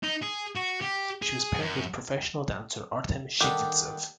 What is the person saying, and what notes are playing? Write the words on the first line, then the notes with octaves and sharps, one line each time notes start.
She was paired with professional dancer Artem Chigvintsev.
D#4
G#4
F#4
G4
G#4
F#2
D3 D#3 G3 D4 G4